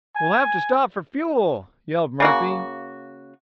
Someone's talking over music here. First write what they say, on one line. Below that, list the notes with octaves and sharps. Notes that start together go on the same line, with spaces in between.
"We'll have to stop for fuel," yelled Murphy.
G#5
C#3 A#3 F#4